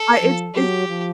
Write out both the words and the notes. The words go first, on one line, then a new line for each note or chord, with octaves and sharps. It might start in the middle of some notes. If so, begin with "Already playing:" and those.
I it's it's
Already playing: A4
F3
F#3 G4
F3